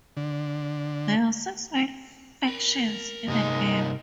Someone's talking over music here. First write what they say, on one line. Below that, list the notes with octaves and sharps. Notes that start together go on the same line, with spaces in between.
There are six main factions in the game.
D3
A#4 B5
G2 C3 G#3 A#3 D#4 D#5